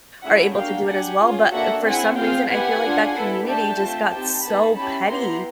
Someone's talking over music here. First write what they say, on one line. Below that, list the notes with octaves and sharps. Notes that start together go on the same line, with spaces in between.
are able to do it as well, but, uh, for some reason, I feel like that community just got so petty.
A3 C#4 E4 G#4 E5 F#5
A#3 D4 F#4 F5 G5
D4 G4 F#5 G#5
C#4 F4 G#4
A#3 D4 F#4 A4 E5 F#5
C4 E4 G#4 F#5 G#5
C4 F4 G#4 F5 G5
B3 E4 G4 F#5 G#5
D4 F4 G#4
B3 E4 A4
A3 D4 G4 G5 A5
A3 C4 F4
C4 D#4 G4 G5 A5
B3 D#4 G#4 A5 B5
C#4 E4 G4 A5 B5
B3 E4 G4 A#5 C6